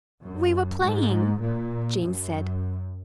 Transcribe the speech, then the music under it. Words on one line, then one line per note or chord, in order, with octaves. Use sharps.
"We were playing," Jean said.
F#2
G#2
A#2
F#2